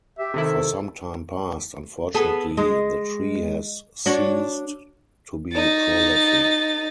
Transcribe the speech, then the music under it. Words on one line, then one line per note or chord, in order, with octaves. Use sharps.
For some time past, unfortunately, the tree has ceased to be prolific.
G4 E5
C3 D#3 E4 A4
B3 G#4 A4
G#3
D4 F#4 C#5
D#4 A6